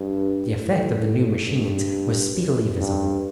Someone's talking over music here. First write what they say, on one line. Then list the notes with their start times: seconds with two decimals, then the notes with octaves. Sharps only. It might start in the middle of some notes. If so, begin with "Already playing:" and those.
The effect of the new machines was speedily visible.
Already playing: G2
0.58 A2
1.46 G2
2.33 F#2
2.78 G2